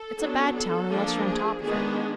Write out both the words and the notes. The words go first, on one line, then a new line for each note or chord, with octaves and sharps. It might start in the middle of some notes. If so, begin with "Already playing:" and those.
It's a bad town unless you're on top of it.
Already playing: A4
F#3 B3 D4
A4
F3 A#3 D4
G#4
D#3 G#3 B3 D4 G#4